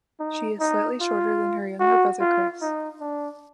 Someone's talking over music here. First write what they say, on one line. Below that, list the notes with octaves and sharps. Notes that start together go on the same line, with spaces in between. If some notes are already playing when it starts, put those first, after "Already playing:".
She is slightly shorter than her younger brother Chris.
D#4
D#4
F4
F#4
F4
D#4
D4